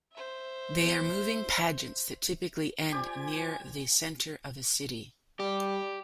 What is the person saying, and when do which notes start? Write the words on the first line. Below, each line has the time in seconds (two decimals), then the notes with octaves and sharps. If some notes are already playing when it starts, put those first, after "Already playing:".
They are moving pageants that typically end near the centre of a city.
0.12 C5 E5
2.92 F4 G4 C5 D5 G#5
5.40 G3 G4